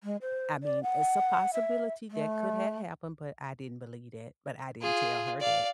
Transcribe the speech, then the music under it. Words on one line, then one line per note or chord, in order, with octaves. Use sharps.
I mean, it's a possibility that could have happened, but I didn't believe that, but I didn't tell her that.
G#3
C5
D5
F#5
E5
A3
F4 G#4
D5 F5